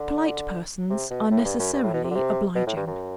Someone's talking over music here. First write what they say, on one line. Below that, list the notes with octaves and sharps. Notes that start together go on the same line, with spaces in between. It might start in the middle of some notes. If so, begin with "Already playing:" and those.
Polite persons are necessarily obliging.
Already playing: D3
C3
B2
A2
G2
F#2
G2
A2
B2
C3
D3
C3
B2
A2
G2
F#2